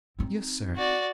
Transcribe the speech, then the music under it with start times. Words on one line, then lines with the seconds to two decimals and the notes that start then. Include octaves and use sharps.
"Yes, sir."
0.19 C4 D#4
0.76 F#4 D5